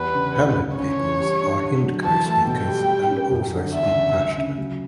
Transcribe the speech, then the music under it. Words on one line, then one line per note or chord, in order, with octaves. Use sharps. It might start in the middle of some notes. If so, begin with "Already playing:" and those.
Hamlet Peoples Are Hindko Speakers And Also Speak Pashto.
Already playing: E2 G3 B4
C#3
D2
C#3
C#3 C#5
E3
G3
D4
D3
F#3
E3 A5
A3
B2 G5
G3
G3
C#4
F#2
D3
E2 E5
C#3
D2
C#3
F#3